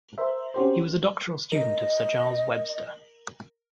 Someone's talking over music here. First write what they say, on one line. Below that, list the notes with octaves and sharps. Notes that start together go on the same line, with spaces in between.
He was a doctoral student of Sir Charles Webster.
A#4 C5 E5
C4 C#4 F#4 G4 A#4 C5
A#4 D#5